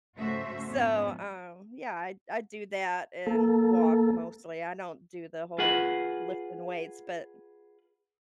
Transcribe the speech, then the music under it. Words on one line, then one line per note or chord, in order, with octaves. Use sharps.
So, um, yeah, I I do that and walk mostly, I don't do the whole lifting weights but
G#2 C#3 A3 F#4 C5 E5
F2 G#2 F3 B3 C#4
A#3 A4
F4 G#4 B4 F#5